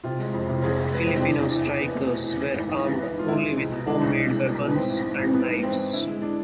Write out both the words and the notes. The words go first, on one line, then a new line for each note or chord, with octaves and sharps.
Filipino strikers were armed only with homemade weapons and knives.
C3 F4
G#3
F2
C3
F4
F2 G#4
C3
G#3 B4
C3
C4
E2 D4
B2
E2
E2
E2 B3
A3
B2
E2
E3
G#1
G#1
E3
E3 B3
G#2
F4
G#3 E4
G#3
C2
B2
G#3 D4
C2
G#3
C2
B2
B2
B3
G#2 C4
A1
G#2
A1
A1 B3
G#2
E3 C4
E3
D3 E4
G#3
D4